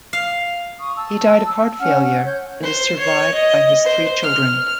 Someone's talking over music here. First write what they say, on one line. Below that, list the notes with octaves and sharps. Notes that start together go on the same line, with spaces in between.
He died of heart failure and is survived by his three children.
F5
C#6 D#6
A5 E6
C#4 F#5 F6
F#5
C#5 G6
C5
C#5
D#5
C5
F6